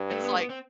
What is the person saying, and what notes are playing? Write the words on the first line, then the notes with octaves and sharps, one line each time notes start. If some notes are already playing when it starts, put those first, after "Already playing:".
It's like
Already playing: G2
A3
B3
A3
B3
C4